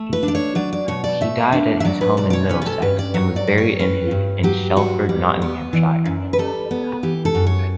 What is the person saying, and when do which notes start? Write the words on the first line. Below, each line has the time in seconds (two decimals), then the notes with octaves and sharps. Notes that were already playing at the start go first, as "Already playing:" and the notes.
He died at his home in Middlesex, and was buried in Shelford, Nottinghamshire.
Already playing: A3
0.13 B4
0.23 D4
0.28 D5
0.35 C#5
0.55 F#3 D5
0.73 D5
0.88 B2 C#5
1.04 D5
1.21 A3 E5
1.52 D4
1.80 E5
1.85 F#3 D5
2.01 B4
2.17 B2 D5
2.30 D5
2.33 C#5
2.49 C#4 B4
2.62 B4
2.66 A4
2.82 G2 B4
2.99 D5
3.14 F#3 C#5
3.36 D5
3.47 G2
3.58 C#5
3.79 C#4 B4
4.11 G2
4.43 F#3 G4
4.76 G2 F#4
5.09 G3
5.42 B3
5.73 E3
6.05 F#2
6.33 B4
6.38 G3 A4
6.71 B3
7.03 E3 G4
7.25 A4
7.35 F#2
7.47 C#5